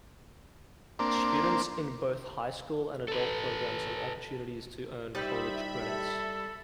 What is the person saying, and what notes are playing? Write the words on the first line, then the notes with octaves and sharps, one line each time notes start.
Students in both high school and adult programs have opportunities to earn college credits.
A#3 C4 D4
A4 B4
G3 D#4 G4 C5 E5 B5 A6
A4